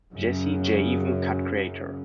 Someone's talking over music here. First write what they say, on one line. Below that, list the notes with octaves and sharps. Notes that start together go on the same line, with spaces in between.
Jazzy Jay-even Cut Creator.
F#2 C#3